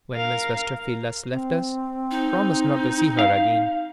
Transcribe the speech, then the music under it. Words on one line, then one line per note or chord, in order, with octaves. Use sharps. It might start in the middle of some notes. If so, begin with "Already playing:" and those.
"When Miss Westerfield has left us, promise not to see her again."
A#4 F5
C4
D#4
F5